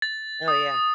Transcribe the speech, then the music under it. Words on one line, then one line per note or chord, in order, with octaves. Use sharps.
Oh, yeah.
A6
D#6